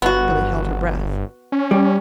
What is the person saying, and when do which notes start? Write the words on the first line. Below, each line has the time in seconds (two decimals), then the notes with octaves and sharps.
Billy held her breath.
0.02 G1 B3 F#4
1.52 C#4
1.71 G3